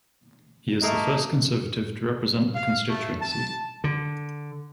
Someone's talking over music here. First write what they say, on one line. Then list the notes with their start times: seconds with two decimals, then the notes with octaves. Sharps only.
He is the first Conservative to represent the constituency.
0.83 A3 A#3 D#5
2.54 F5
2.88 A3
3.21 A5
3.84 D3